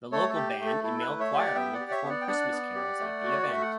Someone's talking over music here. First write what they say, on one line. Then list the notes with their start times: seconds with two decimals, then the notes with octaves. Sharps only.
The local band and male choir will perform Christmas carols at the event.
0.12 A3 A4 C#5
0.29 A4
0.35 G4
0.59 A3
0.66 A4
0.83 E4 A4
1.01 B4
1.07 A3
1.20 C#5 E5
1.32 G4
1.38 D5 F#5
1.55 B3 E5 G5
1.73 D5 F#5
1.80 G4
1.91 C#5 E5
2.03 B3
2.09 D5 F#5
2.21 G5
2.27 D4 D5 F#5
2.51 B3
2.75 G4
2.99 A3
3.23 F#4
3.32 C#5
3.42 A3 D5
3.52 E5
3.62 F#5